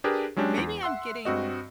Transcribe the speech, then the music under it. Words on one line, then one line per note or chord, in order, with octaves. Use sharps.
maybe I'm getting
D4 G4 G#4 A#4 B4
F#3 G#3 C#4 D4 G4
E2
E5 F#5 C6 E6
G2 C4 F#4 D#5